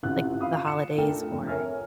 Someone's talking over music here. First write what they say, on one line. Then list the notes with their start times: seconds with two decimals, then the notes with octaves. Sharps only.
like, the holidays or
0.03 A1 C3 F4 F#6
0.41 F5 B5 D#6
0.67 C#7 E7
0.98 A3 D4 F4 A4 A#4 G5
1.31 F2
1.47 A#4 C#5 E5 G#5 F6